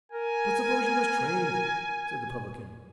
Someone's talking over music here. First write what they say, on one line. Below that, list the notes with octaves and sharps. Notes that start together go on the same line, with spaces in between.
"But suppose you was trained?" said the publican.
A#4 G#5